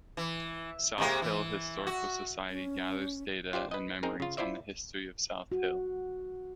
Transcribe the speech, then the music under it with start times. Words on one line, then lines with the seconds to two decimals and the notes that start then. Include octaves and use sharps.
South Hill Historical Society gathers data and memories on the history of South Hill.
0.17 E3
0.98 C3 G#3 A#3
1.22 E3
1.87 F#4
2.48 C#4
3.53 F4 G4 C5 D5
3.71 B4 D#5
4.03 C4 D#4 G#4 A#4
4.20 C#3 F4
4.37 E4 F4 C5 D5 E5
5.52 F#4